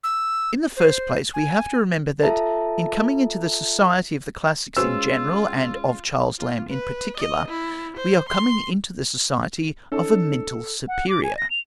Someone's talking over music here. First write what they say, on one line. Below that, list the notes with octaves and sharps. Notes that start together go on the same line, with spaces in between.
In the first place, we have to remember that, in coming into the society of the classics in general and of Charles Lamb in particular, we are coming into the society of a mental superior.
E6
C5
G#5
F4 A4 E5 A5 A#5
G#3 C#4 F4 F#4 B4 C5 E6
F4
B4
D#5
E4
C5
C6
C#4 D#4 A4
F#5
D6
G#5
A#6
F7